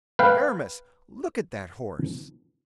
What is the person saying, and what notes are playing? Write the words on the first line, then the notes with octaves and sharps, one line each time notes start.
"Aramis, look at that horse!"
B4 F5 G5